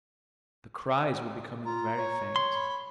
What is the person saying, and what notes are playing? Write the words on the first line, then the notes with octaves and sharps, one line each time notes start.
The cries were becoming very faint.
F4 A#5
C#5
C6
B5